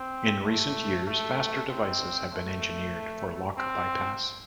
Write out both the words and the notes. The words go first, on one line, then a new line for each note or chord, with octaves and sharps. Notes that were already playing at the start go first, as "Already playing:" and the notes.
In recent years faster devices have been engineered for lock bypass.
Already playing: C4
A3
A3
C4
A3
C4